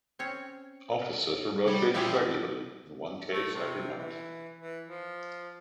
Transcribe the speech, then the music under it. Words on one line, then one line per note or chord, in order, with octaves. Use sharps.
Officers were rotated regularly-in one case every month.
C4 C#4 C#5
G3 C#5
F3 C4 E4 G4 G#4
A3
C3
E3
E3
F3